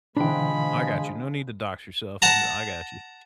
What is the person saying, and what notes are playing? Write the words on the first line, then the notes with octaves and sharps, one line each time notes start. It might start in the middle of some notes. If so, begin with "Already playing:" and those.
I got you, no need to dox yourself, I'm d I got you.
B2 D3 E3 F3 G#3 D4 G5 B5
F#5 A5 A#5